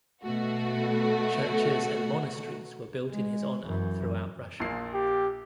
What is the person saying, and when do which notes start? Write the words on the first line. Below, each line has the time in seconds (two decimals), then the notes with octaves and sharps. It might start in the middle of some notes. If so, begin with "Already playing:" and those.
Churches and monasteries were built in his honor throughout Russia.
0.23 B2 A3 F#4
3.09 G#3
3.64 F#2 E3
4.60 A#1 A#2 C7
4.94 G4